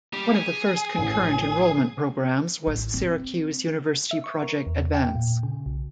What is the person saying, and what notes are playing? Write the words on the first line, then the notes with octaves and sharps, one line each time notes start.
One of the first concurrent enrollment programs was Syracuse University Project Advance.
G3
G#4
A1
A1
C4
E5
C#6
A#4
E2
G5
A#2
C#3
B1